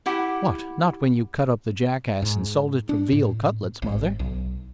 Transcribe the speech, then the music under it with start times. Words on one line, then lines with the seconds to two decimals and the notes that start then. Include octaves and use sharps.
"What, not when you cut up the jackass and sold it for veal cutlets, mother."
0.06 E4 G4 F#5
2.22 G#2
2.89 D4
3.13 A2
3.82 G#1
4.19 B1